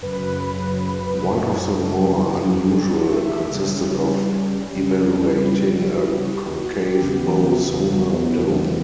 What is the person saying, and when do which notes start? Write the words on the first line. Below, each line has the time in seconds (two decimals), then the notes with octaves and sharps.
One of the more unusual consisted of evaluating a concave bow sonar dome.
0.02 F#2 C#3 F#3 B4
1.77 A4
1.97 G4
2.20 E4
2.41 F#4
2.63 A4
2.73 G4
2.83 F#4
2.93 G4
3.07 E5
3.50 C#3 G3 C#4
5.25 B4
5.53 G4
5.82 F#4
6.05 E4
6.12 F#4
6.34 G4
6.56 F#4
6.77 G4
6.99 E2 C#3 E3 B3
7.87 F#4
8.08 E4
8.30 F#4
8.51 G4